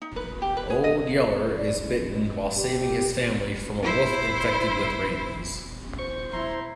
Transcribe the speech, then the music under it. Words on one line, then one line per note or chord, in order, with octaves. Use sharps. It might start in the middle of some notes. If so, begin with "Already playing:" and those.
Old Yeller is bitten while saving his family from a wolf infected with rabies.
D#4
B4
G4
B4
G#4
D#5
B4
D5
E4
G#3
G4
E4 C5
C5 C#6
E4 A#5 C6